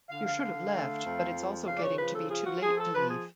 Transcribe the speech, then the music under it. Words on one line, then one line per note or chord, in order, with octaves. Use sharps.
You should have left, but it’s also getting to be too late to leave.
D3 F5
F5
D3 F5
A3
F2
F3
C#3 F5
D5
C#5
F3 B4
A4
F4 G#4
F#4
F3 G#4
A4
F3 B4
G#4